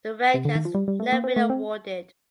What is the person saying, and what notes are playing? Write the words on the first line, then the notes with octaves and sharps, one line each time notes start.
The rank has never been awarded.
C3
D3
D#3
F3
G3
G3
A3
A#3
C4
A3
C4